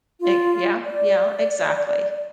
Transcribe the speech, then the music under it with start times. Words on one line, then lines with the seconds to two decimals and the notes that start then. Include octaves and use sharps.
E yeah, yeah, exactly.
0.21 F4
0.84 D5